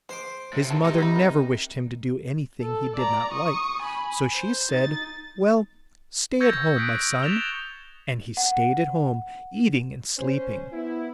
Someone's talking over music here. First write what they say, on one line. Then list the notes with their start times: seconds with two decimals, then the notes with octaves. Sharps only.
His mother never wished him to do anything he did not like, so she said: 'Well, stay at home, my son.' And he stayed at home, eating and sleeping.
0.09 G#3 C5 C6 D6
0.53 A2 C3
0.70 E3 G#3 A5
0.85 C3 C4 D#4
0.98 E4 F#4 B5
1.16 A#4
2.61 A4
2.96 D5 A#5
3.32 C#6 D#6
3.82 G#5 B5
4.33 C5
4.71 D#4 A6
6.40 C#6 E6 G6 G#6 A#6 C#7
6.76 D#6 F#6 B6 D7
6.95 D7
7.23 A6 B6 E7 F7 G7
8.37 F#5
10.17 C#4 C5
10.72 B3 E4